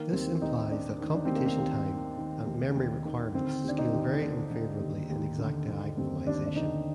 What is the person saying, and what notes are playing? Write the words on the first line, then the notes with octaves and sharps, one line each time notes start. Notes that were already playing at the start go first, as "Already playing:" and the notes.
This implies that computation time and memory requirements scale very unfavorably in exact diagonalization.
Already playing: D#3 A#3
D#2 C4
D#2 D#4
D#3 D4
D#3
D4
D#2 C4
A#3
C4
D#2 A#3
D#3
D#3
D#2
D#2
D#3
D3 C4
D#2 D4
D#4
D#2
D3 D4
D3
D#2
D#2
D3
D3
D#2 C4
D#2 D4
D4
D3 D#4